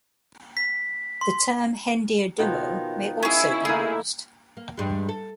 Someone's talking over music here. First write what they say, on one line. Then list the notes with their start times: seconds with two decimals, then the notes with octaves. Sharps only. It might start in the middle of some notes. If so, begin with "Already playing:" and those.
The term hendiaduo may also be used.
0.57 B6
1.21 C6
2.38 B2 D#3 F3
3.23 C#4 E4 G#4
3.65 A3 A#3 G#4
4.57 A#3
4.77 E2 G2 G#3
5.09 A4